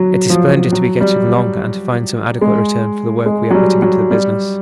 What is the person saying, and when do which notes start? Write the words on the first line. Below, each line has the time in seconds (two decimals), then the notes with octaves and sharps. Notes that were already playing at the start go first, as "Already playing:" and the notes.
It is splendid to be getting along and to find some adequate return for the work we are putting into the business.
Already playing: F#3
0.30 F3
0.72 F#3
1.00 G3
2.41 G#3
3.26 G#3
3.51 F#3
3.54 G3
3.82 F#3
4.11 G3